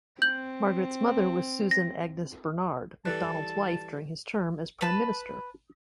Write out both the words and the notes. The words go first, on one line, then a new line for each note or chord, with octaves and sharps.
Margaret's mother was Susan Agnes Bernard, Macdonald's wife during his term as Prime Minister.
C4 G6 F#7
A#6
E3 G3 A4 B4 D5 A5 F#6
B4 A5